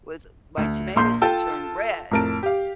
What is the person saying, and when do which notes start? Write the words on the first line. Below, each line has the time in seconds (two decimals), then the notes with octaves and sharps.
with my tomatoes that turn red,
0.57 D2
0.96 A#1 A#3 C6 G6
1.22 F4 A4 G5 A5 E6
2.11 F2 A2 A#4 A5 D7
2.43 G4 F5